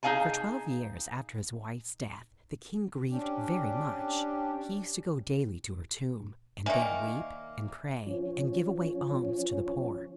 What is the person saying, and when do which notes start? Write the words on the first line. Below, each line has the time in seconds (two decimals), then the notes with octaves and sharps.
For twelve years after his wife's death the king grieved very much; he used to go daily to her tomb, and there weep, and pray, and give away alms to the poor.
0.03 D#4 G#4 F5 G#5 A5
3.10 C#4 D4 G4
6.66 D#3 A#3 D5 E5 G#5
8.06 F3 C#4